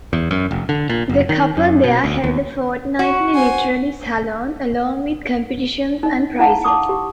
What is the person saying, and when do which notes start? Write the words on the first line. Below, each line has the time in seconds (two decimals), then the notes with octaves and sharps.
The couple there held a fortnightly literary salon along with competitions and prizes.
0.13 E2
0.31 F#2
0.51 F1
0.69 D3
0.89 A#2
1.09 F#1
1.29 D#3
1.57 F#2
1.84 B2
2.04 D2
2.24 D#2
2.99 F#4
3.35 C5 G#5
6.03 D#4 D#5
6.39 D4 E4 F5 F#5 A5
6.64 A5 D6 D#6
6.89 G4